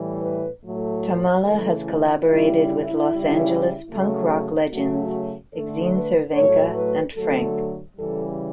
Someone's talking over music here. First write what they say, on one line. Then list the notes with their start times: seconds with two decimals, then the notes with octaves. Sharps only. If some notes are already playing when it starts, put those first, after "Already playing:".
Tamala has collaborated with Los Angeles punk-rock legends, Exene Cervenka and Phranc.
Already playing: A2 E3 G3
0.22 B4
0.63 A2 F#3 A3
1.44 C#3 E3 A3 A4
1.86 E4
2.26 C#3 G3 E4
3.08 C#3 G3
3.89 C#3 F#3 A3
4.71 C#3 F#3 A3 F#4
5.53 D3 A3 A4
5.94 B4
6.34 A2 F#3 A3 C#5
6.75 B4
7.15 D3 F#3 A3 A4
7.97 C#3 E3 G3 A4